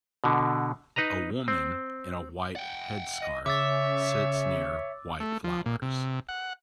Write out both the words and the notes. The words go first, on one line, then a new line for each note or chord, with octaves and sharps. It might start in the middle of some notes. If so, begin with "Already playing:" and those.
A woman in a white headscarf sits near white flowers.
B2 D3
D#4 B4 D#5 A#5
C4
F#5 G5
D#5
C#3 C#5 E5 D6 E6 A6
A3
F3
A#2
C3
F#5